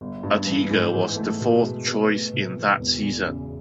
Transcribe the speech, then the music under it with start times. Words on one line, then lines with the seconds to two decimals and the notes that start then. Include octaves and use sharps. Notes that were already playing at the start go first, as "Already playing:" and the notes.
Arteaga was the fourth choice in that season.
0.01 G1
0.23 G2
0.47 E3
0.70 G#2
0.94 E3
1.16 A3
1.41 B2
1.64 G#3
1.87 B3
2.10 A3
2.33 C3
2.57 E3
2.79 E1
3.02 E2
3.26 C#3